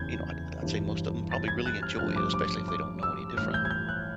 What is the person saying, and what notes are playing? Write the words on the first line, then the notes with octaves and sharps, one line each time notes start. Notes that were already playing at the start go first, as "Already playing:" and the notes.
you know, I'd I'd say most of 'em probably really enjoy it, especially if they don't know any different
Already playing: F#1 E2 C#3 E3 G6 G#6
G1 G2 E3
A6
G#6
F#6
F6
A1 G2 D3 F3 F6
D6
D6
D6
E6
A1 G2 E3 F6
G6
G#6
G6
F#6